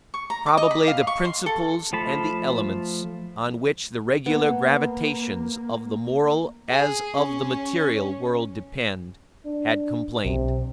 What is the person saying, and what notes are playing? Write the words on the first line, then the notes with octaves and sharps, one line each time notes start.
Probably the principles and the elements, on which the regular gravitations of the moral, as of the material, world depend, had complained.
C#6
A#5
D6
D#5
B5
F5
C#6
C6
A4
F3 A3 A5 B5
A#3 B3
G#4
C#4
D4
B1 C3